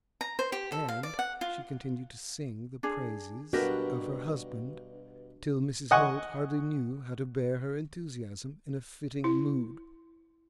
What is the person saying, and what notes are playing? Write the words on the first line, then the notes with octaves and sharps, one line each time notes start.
And she continued to sing the praises of her husband till Mrs. Holt hardly knew how to bear her enthusiasm in a fitting mood.
A#5
C5
G4
A4
F5
D5
F#5
F4
D4 G#4
G2 B2 D3 D4 F#4 G4 A#4 B4
D#5 F#5 G#5 C#6
E4